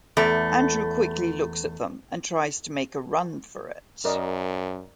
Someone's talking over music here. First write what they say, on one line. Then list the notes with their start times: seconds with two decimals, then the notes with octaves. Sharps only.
Andrew quickly looks at them and tries to make a run for it.
0.17 E2 A3
4.05 F#2 A#4 D5 D#5